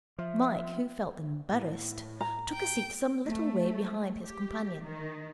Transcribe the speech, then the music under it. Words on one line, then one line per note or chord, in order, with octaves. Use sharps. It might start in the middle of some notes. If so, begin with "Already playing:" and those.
Mike, who felt embarrassed, took a seat some little way behind his companion.
F3 E5
A2
A#5
G5
A3
G4
D#3